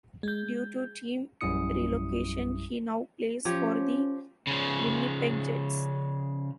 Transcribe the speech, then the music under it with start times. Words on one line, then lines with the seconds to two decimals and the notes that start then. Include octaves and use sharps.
Due to team relocation he now plays for the Winnipeg Jets.
0.23 G#3 G6
1.41 A#1 F#2 G3 E4 D#6 C#7
3.45 F3 C#4 G4 C#5
4.47 C#3 F3